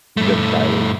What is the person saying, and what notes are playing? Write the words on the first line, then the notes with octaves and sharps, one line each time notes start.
been guided.
G2 A3